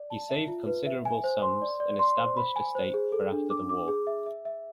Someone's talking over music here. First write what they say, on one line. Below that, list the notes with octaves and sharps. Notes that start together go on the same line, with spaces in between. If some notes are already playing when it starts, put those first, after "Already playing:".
He saved considerable sums and established a stake for after the war.
Already playing: D5
A5
E5
F4
B4
E5
G#5
C5
C6
D5
D5
C6
C5
B5
G#5
C5
G#4
A4
D4
D6
D6
G#4
E5
E5
E5